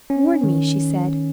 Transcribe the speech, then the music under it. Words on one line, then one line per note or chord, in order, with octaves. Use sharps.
"Warn me?" she said.
C#4
D#3